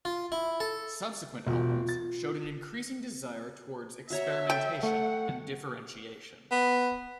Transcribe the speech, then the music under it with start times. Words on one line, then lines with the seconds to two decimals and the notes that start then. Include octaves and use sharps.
Subsequent albums showed an increasing desire towards experimentation and differentiation.
0.05 F4
0.32 E4
0.60 A4
1.47 E1 F4
1.89 A6
4.10 F#4 C#5 E5 A#5
4.50 A4 G5
4.83 A3 F#5
6.51 B3